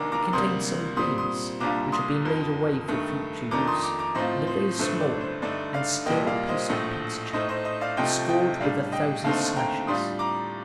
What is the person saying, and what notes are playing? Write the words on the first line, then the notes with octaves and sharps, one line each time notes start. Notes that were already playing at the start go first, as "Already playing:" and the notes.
It contained some beans which had been laid away for future use, and a very small and stale piece of pig's cheek, scored with a thousand slashes.
Already playing: F1 D#2 D#3 A#3 D4 A#5 D6
A#5 D6
D2 C3 G3 A#3 C6 D#6
A#2 G3 C4 C6 D#6
C6 D#6
C2 A#2 G3 D4 F4 A#5 D6
C6 D#6
G1 F2 D#3
G2 D#3 A3
F2 D#3 A3 D4 A#5 D6
C6 D#6
A#5 D6
A#5 D6
A2 F3 C4 F4 C5 D#5
C5
A1 G2 D3 A3 C5
D5
C5
G2 D3 A3 D#4 D5
D5 F5
C2 A#2 G3 A#3 D#5 G5
D5 F5
C5 D#5
A#1 A2 A3
A2 A3 D#4 C5 D#5
C5 D#5
C5 D#5
D5 F5
C2 C3 F3 A3 D#5 G5
D#5 G5
A2 G3 D4 D5 F5
D#5 G5
D#2 D3 A3 C4 D#4 F5 A5
G5 A#5
A2 G3 D4 F4 C6 D#6
A#5 D6